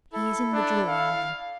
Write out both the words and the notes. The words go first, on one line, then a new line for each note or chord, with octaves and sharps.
He is in the drawing-room.'
E4 A4
D4
F5